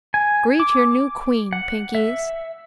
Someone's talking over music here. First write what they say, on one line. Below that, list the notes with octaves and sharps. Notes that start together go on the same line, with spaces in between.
"Greet your new Queen, Pinkies!"
G#5
D6
F#5
E5